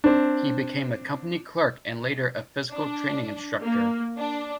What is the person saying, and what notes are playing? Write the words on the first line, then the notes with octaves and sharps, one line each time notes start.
He became a company clerk and later a physical training instructor.
C4 D4
D4
A#3
D4